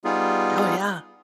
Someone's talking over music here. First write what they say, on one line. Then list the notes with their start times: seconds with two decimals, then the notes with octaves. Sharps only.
Oh, yeah.
0.04 G3 B3 D#4 F4 G#4